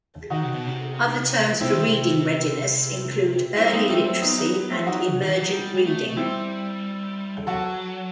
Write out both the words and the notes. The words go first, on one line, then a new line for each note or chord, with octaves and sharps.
Other terms for reading readiness include early literacy and emergent reading.
D#3 D#4 F#4
C3
B2
C3
C3 C4 E4
D#3
C3
G3 C4 E4
G3 B3 D#4
G3 A3 C4
G3
F#3 A3 C4
B3 D#4
B3 D#4
B3
A3 C4
D#4 F#4
C3
D#3
E3
F#3
G3
G3
A3
A3
G3 C4 E4
F#3 F#4 A4